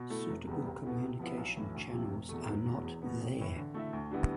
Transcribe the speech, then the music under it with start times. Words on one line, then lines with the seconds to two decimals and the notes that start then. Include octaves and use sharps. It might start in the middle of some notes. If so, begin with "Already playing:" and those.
Suitable communication channels are not there.
Already playing: B2
0.10 A3 E4 A4
0.29 F1
0.47 E2 C3 G3 B3
0.65 C2
0.83 B2 B3 E4 A4
1.02 C3
1.19 F3 B3 E4
1.37 B1
1.56 A2 E3 A3 E4
1.75 D2
1.93 C3 F3
2.11 F1
2.29 E2 B2 A3
2.48 F1
2.66 E2 B2
2.84 E2
3.02 B2 B3
3.21 A1
3.39 A2 E3
3.56 D3
3.74 A3 E4 A4 E5
3.93 D2
4.11 D3 G3 B3 E4